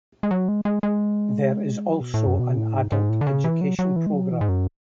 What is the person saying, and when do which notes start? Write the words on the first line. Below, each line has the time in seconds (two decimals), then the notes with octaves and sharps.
There is also an adult education program.
0.23 G#3
0.31 F#3
0.48 G#3
0.65 G#3
0.83 G#3
1.88 F#3
2.01 B2
2.14 A2
2.27 F#2
2.39 B2
2.57 A2
2.75 G#2
2.92 G#2
3.09 A2
3.21 D3
3.27 C#3
3.44 E3
3.61 F#3
3.79 F#3
3.96 E3
4.06 G#3
4.13 F#3
4.31 E3
4.41 G#2
4.49 F#2